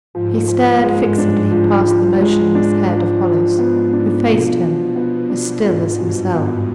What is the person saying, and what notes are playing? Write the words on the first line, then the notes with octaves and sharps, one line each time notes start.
He stared fixedly past the motionless head of Hollis, who faced him, as still as himself.
G#2 F3
F3
G2 G#3
D4
G#2 F3
F3
G#2 G#3
D4
F3
F3
B3
D4
B2 F3
F3
B3
D4
G#2 F4
G2 B2
G#2 B3